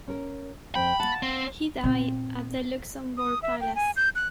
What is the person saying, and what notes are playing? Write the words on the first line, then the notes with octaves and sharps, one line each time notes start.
He died at the Luxembourg Palace.
C#4 A#4
F2 C4 G5 B5
A#3 F#5 A5
C4 C7
A#2 C4
D#6
E5
G5
G#5
G6
F#6